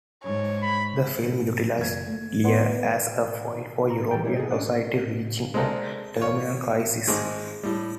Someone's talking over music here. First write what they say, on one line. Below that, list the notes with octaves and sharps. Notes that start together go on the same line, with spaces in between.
The film utilized "Lear" as a foil for European society reaching a terminal crisis.
G#2 C#5
B5
F#1 G#6
A3
B3 D5 F#5 C6
B4
A#5
E3 G3 A4 G5
G3 E4 C#5
G#4 A4 D#5
C#4 D4 D#5 F#5
G#3 C4 D4 A4 A#4
F4 C#5
G#1 G#3 C4 D6
A2 G3